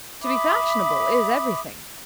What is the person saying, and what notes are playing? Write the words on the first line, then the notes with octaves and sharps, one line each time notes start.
To be fashionable is everything.
E5 B5 D6 D#6